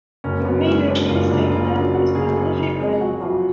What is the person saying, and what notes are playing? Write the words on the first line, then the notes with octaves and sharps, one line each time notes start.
The remainder of the estate land is now Liffey Valley Park.
F#1 C#4
F#2 B3
G#3 C#4
G#3 D4
F#1 F4
F#1 D4
C#3 F4
C#4
F#3 D4
F#3 F#4
C#3 G#4
F#2
C#3
F2 G#4
F#3 F#4
F#3 F4